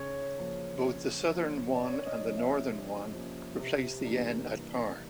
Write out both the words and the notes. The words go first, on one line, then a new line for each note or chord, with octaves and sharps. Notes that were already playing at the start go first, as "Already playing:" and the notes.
Both the Southern won and the Northern won replaced the yen at par.
Already playing: C#3 C#5
F3 A#3
C#3
F3 A#3
C3 D5
C#5
D5
D#5
F3 A#3 C#4
E5
C3
F3 A#3 C#4
C3
E3 G3 A#3 D4